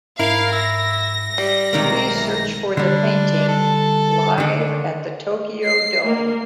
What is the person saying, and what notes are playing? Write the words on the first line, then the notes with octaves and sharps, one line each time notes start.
Please search for the painting Live at the Tokyo Dome.
G#2 E4 A#4 F5
E5 A#6
G3
B1 C3 D#3 G#3 A#3 D#4
E3
D3 G3 D4
A4
D3 D#3
C7
A#3